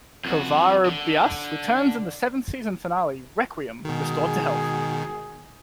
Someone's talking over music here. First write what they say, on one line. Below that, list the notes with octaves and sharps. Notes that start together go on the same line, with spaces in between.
Covarrubias returns in the seventh season finale "Requiem", restored to health.
F2 F#4
D3
B2 D#3 G#3 F#4 G#4